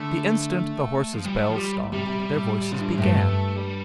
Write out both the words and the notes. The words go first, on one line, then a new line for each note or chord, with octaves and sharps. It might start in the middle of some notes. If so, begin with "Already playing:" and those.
The instant the horses' bells stopped, their voices began.
Already playing: D3 A3
F3
G3
A3
F3
G3
A2
C3 G3
C3
C3
A2
G4
F4
D4
C4
A2
G2 A3
G3